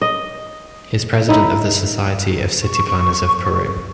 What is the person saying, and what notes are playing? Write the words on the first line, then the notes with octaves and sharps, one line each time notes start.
He is president of the Society of City Planners of Peru.
D#5
D#4 E4
C#6